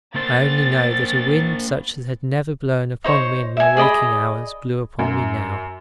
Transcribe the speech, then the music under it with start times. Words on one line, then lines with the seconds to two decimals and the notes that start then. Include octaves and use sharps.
I only know that a wind such as had never blown upon me in my waking hours, blew upon me now.
0.16 A#3 C5 A6
3.04 D#4 C5 C#5
3.57 E5 G#5
3.77 G#4 D5 D#5 B5
4.99 F#2